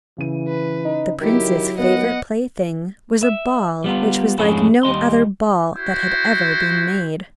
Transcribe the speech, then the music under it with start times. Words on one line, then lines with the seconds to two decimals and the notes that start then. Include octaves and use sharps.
The prince's favorite plaything was a ball which was like no other ball that had ever been made.
0.18 C#3 E3 D#7
0.48 B4
0.85 D#4
1.21 D#3 F#3 E4 G4
1.79 D#2 B3 D#5 F#5
3.23 E5
3.84 G3 B3 F4
4.38 F2 G#2 G#3 A3 C#4 E4
4.83 D#2 G3 D#5 C6
5.76 E4 F#4 C5